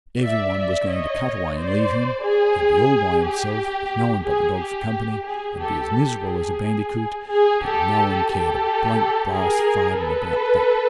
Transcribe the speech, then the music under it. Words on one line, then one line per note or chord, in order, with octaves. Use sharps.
Every one was going to cut away and leave him; he'd be all by himself, with no one but the dog for company, and be as miserable as a bandicoot; but no one cared a blank brass farden about that.
D5 E5
D5 E5
C#5 D#5
C5 D5
G#4
G4
G#4
G4
G#4
G4 A4
G4
G#4
G#4
G4 A4
G4 A4
G#4 A#4
A4 B4